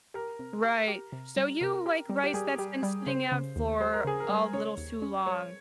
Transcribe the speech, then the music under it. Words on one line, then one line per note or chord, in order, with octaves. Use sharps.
Right. So you like rice that's been sitting out for a little too long.
G4 A#4
C3
G4
G4
C3
G3
C3 A#4
G4
G3
G4
G3 G#4
G3
G3
C#3 C5
C#3
D#2
G3 C5
A#4
C#3 G#4
A#4
G3
C#3 C#5
D#2
C#4
G3 C#5